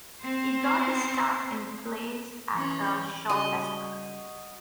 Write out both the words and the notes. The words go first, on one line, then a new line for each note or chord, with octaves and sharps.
He got his start in plays at the Shaw Festival.
C4 C5
E3 C#4
C#3 G3 F#4 D#5